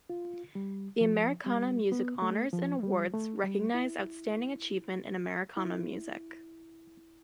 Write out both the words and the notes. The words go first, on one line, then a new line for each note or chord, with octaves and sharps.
The Americana Music Honors and Awards recognise outstanding achievement in Americana music.
F4
G3
F3
G3
B3
A3
F3
G3
A3
G3
E4
E4